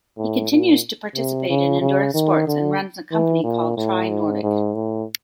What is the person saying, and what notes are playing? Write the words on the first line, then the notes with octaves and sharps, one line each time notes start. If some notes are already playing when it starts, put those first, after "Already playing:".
He continues to participate in endurance sports and runs a company called Tri Nordic.
A2
A#2
C3
C#3
C#3
D#3
D3
E3
A#2
A2
G#2
G#2
A2